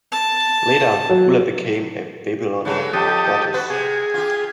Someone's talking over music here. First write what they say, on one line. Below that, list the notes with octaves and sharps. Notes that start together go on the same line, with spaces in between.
Later, Gula became a Babylonian goddess.
A5
F#3
C#3 F#3 A3
F2 G4 A4 D#6
F#4 B4
C3 G#4
F4 G4